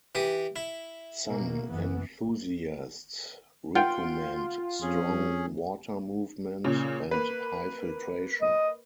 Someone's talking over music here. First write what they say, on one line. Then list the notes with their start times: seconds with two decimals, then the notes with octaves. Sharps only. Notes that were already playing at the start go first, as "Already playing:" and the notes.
Some enthusiasts recommend strong water movement and high filtration.
0.15 E3 G4 D#6
0.56 E4
1.28 B2 A#3
1.68 F#1 E3 B3
3.75 F4 F#5 G5 C6
4.82 F2 C#4 G#4
6.64 A#2 C#3
7.11 A#3 B4
8.42 D#5